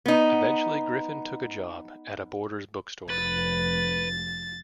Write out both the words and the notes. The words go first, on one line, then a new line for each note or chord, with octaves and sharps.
Eventually, Griffin took a job at a Borders bookstore.
B3 D#4
F1 B4 A6